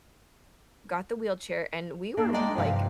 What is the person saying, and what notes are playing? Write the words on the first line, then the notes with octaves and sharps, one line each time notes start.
got the wheelchair, and we were, like
A#3 D4
G#3 D4 D#4 D5 G5
G2 C3 F3 F5